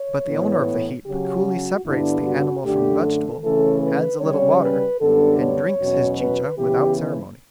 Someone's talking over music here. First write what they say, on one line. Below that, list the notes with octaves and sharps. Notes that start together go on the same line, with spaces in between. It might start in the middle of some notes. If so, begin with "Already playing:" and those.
But the owner of the heap coolly separates the animal from the vegetable, adds a little water, and drinks his chicha without ceremony.
Already playing: C#5
A2 E3 B3
C#3 F#3 C#4 G4
F#4
G2 D3 G3 B3 D4 E4
F#4
F#2 D3 A3 D4 G4
A4
C#3 E3 A3 C#4 A4
B4
C#3 G3 C#4 C#5
B4
F#2 D3 G3 B3 D4 A4
C#5
E2 B2 F#3 C#4
B4
C#3 E3 B3 G4